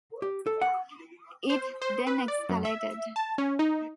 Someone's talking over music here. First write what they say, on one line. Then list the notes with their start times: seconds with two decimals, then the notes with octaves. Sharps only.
It then escalated.
0.22 G4
0.47 A4
0.61 F#5
1.50 C5
1.82 C5
2.07 B4
2.28 D5
2.49 F#2
2.65 E5
3.16 A5
3.38 C#4
3.59 D#4